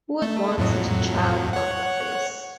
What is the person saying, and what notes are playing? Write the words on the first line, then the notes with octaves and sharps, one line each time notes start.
Who would want such a child about the place?
A3
F2 A2 F#3
C#5 F#5